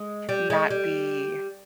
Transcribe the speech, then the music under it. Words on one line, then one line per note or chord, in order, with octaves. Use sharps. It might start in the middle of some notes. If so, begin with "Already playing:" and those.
not be
Already playing: G#3
G3
G#3
G3